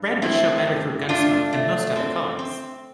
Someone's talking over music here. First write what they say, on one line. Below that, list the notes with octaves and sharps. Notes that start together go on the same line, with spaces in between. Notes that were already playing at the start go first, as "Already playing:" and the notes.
Red would show better through gunsmoke than most other colors.
Already playing: G2
A3 C4 E4
G2
A3 D4 F4
A3
C4
C4